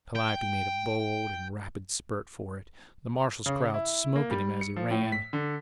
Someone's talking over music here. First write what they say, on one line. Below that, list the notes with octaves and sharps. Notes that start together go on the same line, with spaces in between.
Calliope made a bold and rapid spurt for it, the marshal's crowd "smoking" him as he ran.
G5
C#3
E4
A#3
G3
C#7
F3
A2
B6
D3